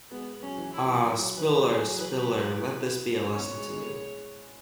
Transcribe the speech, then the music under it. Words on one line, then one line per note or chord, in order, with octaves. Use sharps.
Ah, Spiller, Spiller, let this be a lesson to you.
G#3 B3
F#3 C#4
E3
F#3 E4
E3
F#3
F#3
E3 B4
F#3
F#3 G#4
F#3
E3 B4
E4
C#4 C#5
B3
G#3
G#3